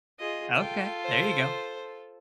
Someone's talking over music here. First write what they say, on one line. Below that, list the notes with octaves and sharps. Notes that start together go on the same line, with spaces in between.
Okay, there you go.
F4 G#4 D#5
F4 A4 G5
C5